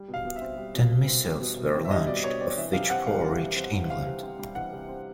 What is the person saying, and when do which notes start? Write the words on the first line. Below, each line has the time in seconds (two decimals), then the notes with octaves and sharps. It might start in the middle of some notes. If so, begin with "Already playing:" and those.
Ten missiles were launched of which four reached England.
Already playing: G3
0.08 B2
0.14 F5
0.25 B2
0.36 E5
0.41 C4
0.57 G3
0.74 B2
0.91 B2
1.07 C4
1.25 G3
1.41 B2
1.57 B2
1.74 C4
1.85 E5
1.91 G3 D#5
2.07 B2 D5
2.24 B2 C#5
2.40 C4 D5
2.57 E3 E5
2.73 C3 F5
2.90 C4 F#5
3.06 G3 F5
3.23 E3 F5
3.40 C3
3.56 C4
3.73 G3
3.89 E3 F5
4.06 C3
4.23 C4
4.39 G3
4.55 E3 F#5
4.72 C3
4.89 C4